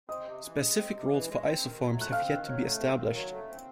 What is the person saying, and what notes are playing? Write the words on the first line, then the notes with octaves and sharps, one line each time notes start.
Specific roles for isoforms have yet to be established.
C4 D#5 D#6
C3
E3
G#3
C4
C3
E3
G#3
C4
D#3
F#3
A3
F#6
C4 F5 F6
D#3
F#3
A3
C4
D#3
F#3
A3
C4